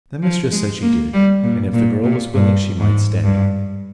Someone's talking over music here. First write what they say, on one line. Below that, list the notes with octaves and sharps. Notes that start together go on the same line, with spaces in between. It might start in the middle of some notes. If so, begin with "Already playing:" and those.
The mistress said she did, and if the girl was willing she might stay.
F3
G#3
A#3
G3
A#2
A#2
A#2
G2
G#2
G2